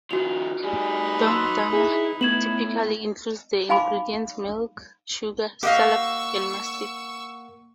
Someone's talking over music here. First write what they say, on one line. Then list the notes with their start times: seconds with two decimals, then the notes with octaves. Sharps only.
Dondurma typically includes the ingredients milk, sugar, salep, and mastic.
0.11 D#3 F3 F#4 F7
0.64 G3 D#4 G#4 B4
1.27 F#3 A5 C6 E6
1.73 E4 G#4
2.21 A2 B3 G#6 E7 F#7
3.69 D#4 F5 G#5 B5 D6
5.63 A#3 G4 D#5 F5 F#5 C#6 E6